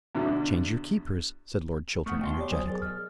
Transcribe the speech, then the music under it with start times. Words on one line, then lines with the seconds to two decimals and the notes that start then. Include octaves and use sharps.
"Change your keepers," said Lord Chiltern energetically.
0.15 E2 B2 D3
2.06 A3 B3 F#5 C#6 D#6 F6
2.21 B2 E5 G5 C6
2.37 G4 C#5 D5
2.51 F#3 C5 G#5 D#6
2.68 G#4 A#4 A6
2.82 D#5 F6